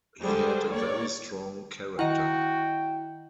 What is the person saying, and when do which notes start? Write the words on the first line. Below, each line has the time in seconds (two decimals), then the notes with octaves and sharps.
He had a very strong character.
0.21 D3 G3 G#3 G#4 C5
0.71 A#3 C#5 D5
1.99 D#3 E4 F#4 D#5 F#5 G5